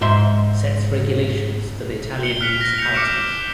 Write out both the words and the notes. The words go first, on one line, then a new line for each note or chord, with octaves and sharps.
Sets regulations for the Italian municipalities.
G#2 E5 C6
C#7 G7
F6 F#6 B6 C#7 D7 F7
A#6
G6 A#6 B6 C#7 F7
D6 F6 C#7 D7 E7